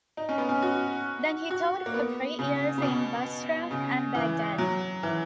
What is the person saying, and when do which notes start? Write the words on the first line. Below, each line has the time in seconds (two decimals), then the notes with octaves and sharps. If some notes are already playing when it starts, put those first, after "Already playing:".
Then he taught for three years in Basrah and Baghdad.
0.17 D#4
0.29 C#4
0.38 B3
0.49 C#4
0.62 F#4
1.50 F#4
1.86 A#3
1.94 B3
2.39 C#3
2.78 C#3
2.82 B2
3.71 C#3
4.15 E3
4.58 F#3
5.03 E3